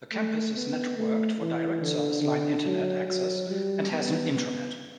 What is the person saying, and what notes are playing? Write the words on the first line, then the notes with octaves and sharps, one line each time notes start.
The campus is networked for direct service line internet access and has an intranet.
A3
B3
A3
E3
D3
D3
F#3
F#3
G3
B3
B3